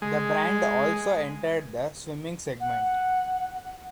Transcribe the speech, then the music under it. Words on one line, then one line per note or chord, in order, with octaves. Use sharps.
The brand also entered the swimming segment.
G#3
F#5